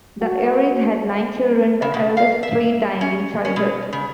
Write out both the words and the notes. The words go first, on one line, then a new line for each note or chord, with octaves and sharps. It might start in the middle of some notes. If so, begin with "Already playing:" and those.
The Airys had nine children, the eldest three dying in childhood.
F#4
C#3
B2
F5
E5
C#4
C#4
B2
C#3